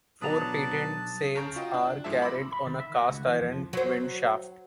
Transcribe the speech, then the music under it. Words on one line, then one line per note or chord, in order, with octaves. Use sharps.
Four Patent sails are carried on a cast-iron windshaft.
B1 F#3 D4 B4 A5 A#5 D#6
C#3 A5 A#5 C#6 G6 D7
F4 F#4 D#5 G5
D4
G#2 F3 G#3 G#4 E5 A5
B5 C6 D6 E6 A#6
B5
D#3
E5
F#4
C#2
E3
F2
F3
F#3 C5